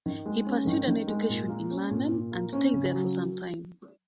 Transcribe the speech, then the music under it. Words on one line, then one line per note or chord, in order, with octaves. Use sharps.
He pursued an education in London and stayed there for some time.
D#3
G#3
C#4
D#3
D#3
G#3
A#2
A#3
C#4
A#2
A#2
A#3
C#4
C#3
F#3